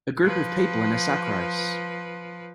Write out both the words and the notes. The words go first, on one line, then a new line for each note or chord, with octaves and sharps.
A group of people in a sack race.
F3 B4